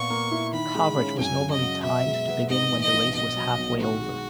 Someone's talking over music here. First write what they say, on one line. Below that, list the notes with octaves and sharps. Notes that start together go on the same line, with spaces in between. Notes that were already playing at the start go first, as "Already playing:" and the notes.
Coverage was normally timed to begin when the race was halfway over.
Already playing: A#2 B3 C#6
A#3
E4
D#3 B5
G#3
C#4
F#2 G#5
C#3
D#5
F#3
B2 E5
G#3
B3
G#2 D#5
E3
D#5
A#1
B2 D#5
F#3
B1
D#3 F#4
G#3